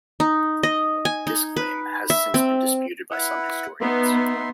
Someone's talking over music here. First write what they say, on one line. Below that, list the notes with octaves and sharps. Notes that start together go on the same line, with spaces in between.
This claim has since been disputed by some historians.
D#4
D#5
G#5
D#4
B4
E5
C4
E4 B4 F#5
B3 D#4 E5 C6